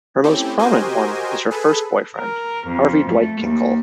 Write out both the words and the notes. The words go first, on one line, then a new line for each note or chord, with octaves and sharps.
Her most prominent one is her first boyfriend, Harvey Dwight Kinkle.
A3 C4 C#4 E4 G4
F#4 G4 A#4 C5 D#5 G#5
G#4 A4 B4
A#4
F2
A3
D#2